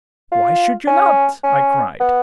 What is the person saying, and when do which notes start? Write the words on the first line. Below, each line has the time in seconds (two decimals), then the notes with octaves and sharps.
"Why should you not?" I cried.
0.32 F4
0.87 C#4
1.44 C#4
2.00 B3